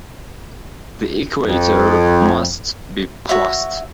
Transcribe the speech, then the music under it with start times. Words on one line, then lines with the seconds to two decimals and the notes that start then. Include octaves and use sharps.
The equator must be crossed.
1.46 F2
3.29 F#4 C#5 E5